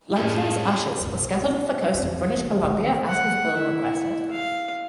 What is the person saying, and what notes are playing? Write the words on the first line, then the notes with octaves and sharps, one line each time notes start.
LaPierre's ashes were scattered off the coast of British Columbia, as his will requested.
C2 F#2 A2 C#4 G#4 A5
B1 F#2
B2 D#3
A#3
F2 F3
C#2 D#3
A#1 G#3
F#5
E4
F5